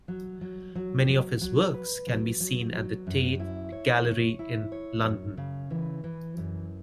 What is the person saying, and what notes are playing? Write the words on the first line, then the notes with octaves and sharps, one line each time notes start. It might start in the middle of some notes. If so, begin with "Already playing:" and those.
Many of his works can be seen at the Tate Gallery in London.
F#3
F#3
F#3
F#3
F#3
B4
F#3
F#3
F#3
F#2
E4
C#5
C#5
E4
C#5
F#2
C#3
E3
E3
F#2